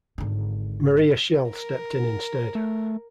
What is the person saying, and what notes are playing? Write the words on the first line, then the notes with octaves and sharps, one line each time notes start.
Maria Schell stepped in instead.
G#1 D3
A#4
A3